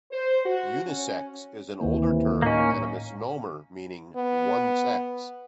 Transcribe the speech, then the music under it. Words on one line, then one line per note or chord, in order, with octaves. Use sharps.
"Unisex" is an older term, and a misnomer meaning "one sex".
C5
F#4
C#4
D2 C3 D#3 E3 A#3
A2 A#3 C#4 D#4
B3